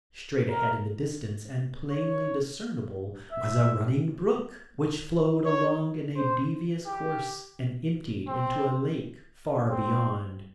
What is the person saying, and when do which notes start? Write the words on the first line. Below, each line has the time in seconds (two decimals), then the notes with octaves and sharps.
Straight ahead in the distance and plainly discernible was a running brook which flowed along in a devious course and emptied into a lake far beyond.
0.50 A#4
1.91 C#5
3.33 E5
5.46 C#5
6.16 C5
6.86 G4
8.28 C4
9.70 C4